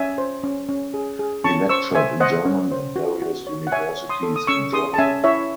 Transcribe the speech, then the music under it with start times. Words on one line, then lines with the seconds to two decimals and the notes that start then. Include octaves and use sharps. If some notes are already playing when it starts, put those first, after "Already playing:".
He lectured in German at various universities in Germany.
Already playing: C#4 E5 G#5
0.18 C5
0.43 C#4
0.69 C#4
0.94 G#4
1.19 G#4
1.44 C#4 A5 C#6
1.69 C5 C#6 E6
1.95 C5 E5 G#5
2.20 C5 D#5 F#5
2.45 C#4
2.72 C5
2.96 F#4
3.22 F#4
3.47 C#5
3.67 F#5
3.72 C#5 E5 G#5
3.98 C#5
4.09 C6 D#6
4.23 A4
4.36 D#6
4.47 C#4 C#6 E6
4.73 G#4 C6 D#6
4.94 A5
4.98 C#4 E5 G#5
5.24 E4 C#5 E5